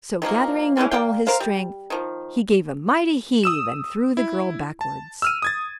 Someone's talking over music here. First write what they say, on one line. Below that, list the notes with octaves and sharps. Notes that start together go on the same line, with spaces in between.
So gathering up all his strength, he gave a mighty heave, and threw the girl backwards.
D#3 F3 F#3 A#3
E3 G#3 A#3 C#4
A#3 D5 F5 G5
A#4 C5 F5
G3
D#3 F3
D#6 E6 E7
E4
A5
E6 F6 D#7
D#6 G#6 A6